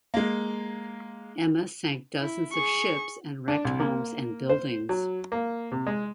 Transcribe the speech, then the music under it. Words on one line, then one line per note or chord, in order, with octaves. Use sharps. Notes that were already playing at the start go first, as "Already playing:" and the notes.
Emma sank dozens of ships and wrecked homes and buildings.
G#3 A#3
E4
G#4 C#6
D4
C2
A#3
C5
F#3
A#3
C3
G#3